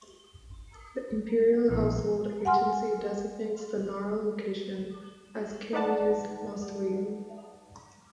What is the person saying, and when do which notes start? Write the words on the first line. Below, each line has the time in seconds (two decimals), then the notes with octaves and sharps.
The Imperial Household Agency designates the Nara location as Kinmei's mausoleum.
1.69 A#1 B2 E3
2.45 F#5 G#5 C6 F6
5.73 D#4 B4 D5 F#5 A5